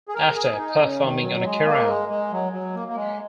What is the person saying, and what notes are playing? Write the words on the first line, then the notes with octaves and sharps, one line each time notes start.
After performing on a Kerrang!
G#4
A#4
G#4
D#4
C#3
D#3
F#3
G#3
A#3
G#3
G#3
F#3
F#3
A#3
A#3
G#3